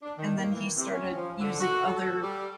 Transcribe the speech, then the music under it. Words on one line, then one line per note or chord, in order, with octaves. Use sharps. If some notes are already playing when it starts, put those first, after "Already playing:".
and then he started using other
D4
D#3
A#3
E3
C3
C#4
F3
D3
F#4
A4
G3